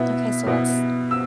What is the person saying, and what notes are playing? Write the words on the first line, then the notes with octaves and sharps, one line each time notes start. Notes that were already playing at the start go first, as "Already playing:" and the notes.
Okay, so let's
Already playing: B2 B3 E4 E5
B2 B3 E4
E6